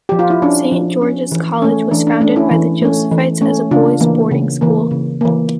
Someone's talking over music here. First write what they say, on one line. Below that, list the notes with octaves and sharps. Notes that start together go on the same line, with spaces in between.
Saint George's College was founded by the Josephites as a boys' boarding school.
F3 G4
F4
E4
C#4 D4
F3
C#4
E3
A3 C#4
E3 D4
D4
A3 C#4 D4
C#4 E4
E3
A3 C#4
E3
A3 C#4
C#3 D4 F4
E3 A#3
C#3
E3 A#3
C#3
E3 A#3